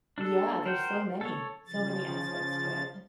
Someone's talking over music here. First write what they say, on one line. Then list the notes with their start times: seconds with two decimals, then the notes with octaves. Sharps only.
Yeah, there's so many. So many aspects to it.
0.18 D4 A4
0.66 A#4 C5 F#5 G5
1.21 A4 C#5
1.67 C#3 F3 A6